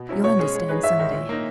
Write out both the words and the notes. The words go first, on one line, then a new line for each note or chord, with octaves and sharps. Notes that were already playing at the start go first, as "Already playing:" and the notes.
"You'll understand some day."
Already playing: B2
F#3 C#4 E4
B2 C#5
G#3 C#4 G#4
G#3
D#4 G#4 B4
G#2 E5
D#3 G#3 D#4
A#2
A#3 D#4